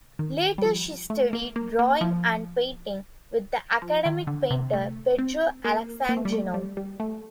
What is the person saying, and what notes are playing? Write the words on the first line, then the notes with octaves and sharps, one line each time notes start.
Later she studied drawing and painting with the academic painter Pedro Alexandrino.
D#3
G3
F3
A3
A#3
A#3
A#3
F3
F3
D#3
D3
C3
A3
C4
A#3
A#3
A3
G3
A3
G3
G3
A3